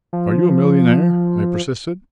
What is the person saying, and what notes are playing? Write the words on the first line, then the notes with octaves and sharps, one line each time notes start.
"Are you a millionaire?" I persisted.
F3